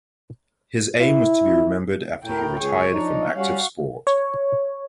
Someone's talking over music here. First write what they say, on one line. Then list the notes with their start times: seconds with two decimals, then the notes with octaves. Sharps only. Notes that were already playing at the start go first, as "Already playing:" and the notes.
His aim was to be remembered after he retired from active sport.
1.00 E4
2.24 A2 A#4 G5
2.60 C#2 G#4 C#5
2.92 F3 D4 D#4
3.36 G3 C#4 F#4 F5
4.07 C#5